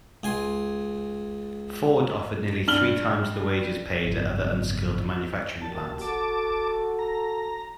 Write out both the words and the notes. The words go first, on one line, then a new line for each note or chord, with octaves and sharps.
Ford offered nearly three times the wages paid at other unskilled manufacturing plants.
C#2 G#5 C6
G2 F6 F#7 G7
G#1 F#2
A#2 F#4 G4 A5
F#4 A4 A5 D6
A#5